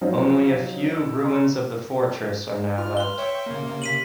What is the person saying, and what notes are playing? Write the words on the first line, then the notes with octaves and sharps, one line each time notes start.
Only a few ruins of the fortress are now left.
F3 F#3 C4 D#4 F4
E6
D5 A#5 C6
F4 F6
B4 C6 G7
C#5 E5 G5 C#6
C#3 A#3
C3
B6 D#7 F#7